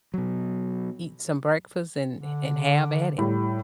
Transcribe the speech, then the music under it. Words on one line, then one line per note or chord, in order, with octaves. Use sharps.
eat some breakfast and and have at it.
B2 F#3
D3
A2 G3